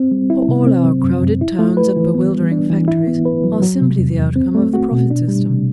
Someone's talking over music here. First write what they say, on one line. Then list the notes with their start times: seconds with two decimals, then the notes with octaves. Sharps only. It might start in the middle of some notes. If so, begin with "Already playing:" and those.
For all our crowded towns and bewildering factories are simply the outcome of the profit system.
Already playing: C4
0.12 G3
0.30 E4
0.48 C3
0.67 C4
0.85 F#3
1.04 F#2
1.22 F#2
1.41 E4
1.59 A3
1.77 B4
1.96 E3
2.15 B3
2.34 G3
2.52 D4
2.70 E3
2.88 E4
3.07 B3
3.25 B4
3.44 F#3
3.62 F#3
3.81 C3
3.99 E2
4.18 E2
4.36 C4
4.55 A3
4.74 F#4
4.92 B2
5.10 D4
5.28 G3
5.48 C3